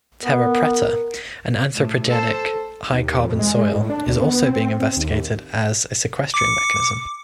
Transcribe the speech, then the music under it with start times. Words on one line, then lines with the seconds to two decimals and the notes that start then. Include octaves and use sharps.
Terra preta, an anthropogenic, high-carbon soil, is also being investigated as a sequestration mechanism.
0.23 B3 A#4
1.74 A2
2.07 A4 C5
2.91 D#2
3.23 F2
3.39 G#3
3.55 G#3
3.73 A2
3.90 D4
4.07 D2
4.20 B3
4.44 C4
4.80 C4
4.97 D#2
6.34 D6 C#7